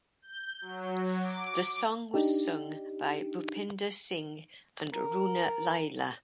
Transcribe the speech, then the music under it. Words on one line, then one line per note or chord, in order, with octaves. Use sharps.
The song was sung by Bhupinder Singh and Runa Laila.
G6
F#3
D6
D4 D#4 G4
A#4